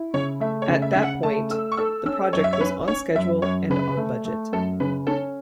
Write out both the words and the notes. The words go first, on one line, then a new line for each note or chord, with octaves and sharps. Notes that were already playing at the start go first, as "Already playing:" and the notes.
At that point, the project was on schedule and on budget.
Already playing: E4
C#3 C#5
A3 E5
C#5
C#3
E5
C#3 E5
F#5
A3 A5
A4 E6
C#6
A4 E6
C#4 E6
F#2 C#5
E5
C#5
C#4 B4
C#4 C#5
F#2 E5
F#2 C#5
C#3 B4
A3
A3
F#2 A4
C#3 B4
C#4 A4